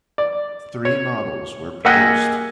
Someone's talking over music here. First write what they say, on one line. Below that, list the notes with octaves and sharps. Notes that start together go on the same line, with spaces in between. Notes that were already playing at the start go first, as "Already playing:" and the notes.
Three models were produced.
D5
C#5
A#3 G#4 D#5 E5 F#5 G5